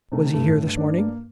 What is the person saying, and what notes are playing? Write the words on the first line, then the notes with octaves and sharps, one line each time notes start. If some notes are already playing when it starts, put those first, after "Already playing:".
'Was he here this morning?'
C3 D#3 A3
G2 A3
A2
A3
G2
D4
A#3